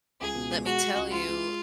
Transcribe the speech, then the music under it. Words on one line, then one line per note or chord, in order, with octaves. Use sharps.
let me tell you,
C#2 G#4
B2
G#3
G#3 F#4
G#3
C#2
G#3 F4
G#3